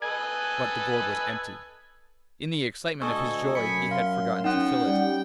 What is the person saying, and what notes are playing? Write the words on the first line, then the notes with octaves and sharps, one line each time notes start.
But the gourd was empty; in the excitement of his joy he had forgotten to fill it.
A4 B4 D#5 G#5
D2 A4 D#5 G#5 C#6 E6
F#2 G#5 B5 C#7
F5 C6
C#4 D#4 F#5 G5
G3